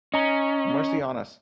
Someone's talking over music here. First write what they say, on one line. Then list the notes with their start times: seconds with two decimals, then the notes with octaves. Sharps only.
Mercy on us!
0.14 C#4 D#5 A#5